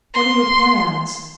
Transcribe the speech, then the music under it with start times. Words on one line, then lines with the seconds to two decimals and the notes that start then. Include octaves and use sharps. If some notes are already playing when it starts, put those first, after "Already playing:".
What are your plans?
0.14 C6